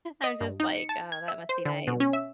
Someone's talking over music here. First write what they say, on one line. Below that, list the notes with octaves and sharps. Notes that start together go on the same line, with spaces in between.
I'm just like, "Oh, that must be nice."
D#5
G2
D#4
C#7
A5
G#6
E5
C5
D3
B2
C#4
E5